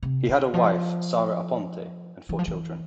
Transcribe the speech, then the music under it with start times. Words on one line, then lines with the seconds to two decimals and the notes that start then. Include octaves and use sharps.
He had a wife, Sara Aponte, and four children.
0.03 C3
0.29 D3
0.54 F3
2.29 E3
2.39 F3
2.48 E3